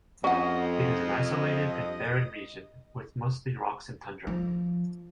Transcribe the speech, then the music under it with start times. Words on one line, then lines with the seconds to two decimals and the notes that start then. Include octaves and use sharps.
It is an isolated and barren region with mostly rocks and tundra.
0.24 F2 C#4 D#5 F#5
4.27 F3